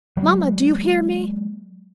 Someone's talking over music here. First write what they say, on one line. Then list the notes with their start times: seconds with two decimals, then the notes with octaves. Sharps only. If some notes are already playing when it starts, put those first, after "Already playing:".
Mamma! do you hear me?
0.17 F#3 G#3 A#3